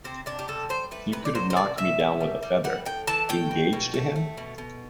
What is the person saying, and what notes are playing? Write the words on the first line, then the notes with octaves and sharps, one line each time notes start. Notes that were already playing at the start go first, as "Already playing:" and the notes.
You could have knocked me down with a feather. "Engaged to him?"
C3 C4
C3 D4
G4
G3 A4
G3 C5
A3 B4
C3 B4
D5
F#3 C5
C5
C3 D5
B2 E5
B2
G3
G3
G3 F#5
A2 G5
E3 A5
A2 G5
B2
B2
A3
A3
B2
B2